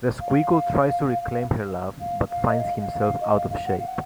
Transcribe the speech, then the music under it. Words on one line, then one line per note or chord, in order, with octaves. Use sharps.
The squiggle tries to reclaim her love, but finds himself out of shape.
F5
F5
F5
D#5
F5
F5
F5
D#5
F5
F5
F#5
F5
F#5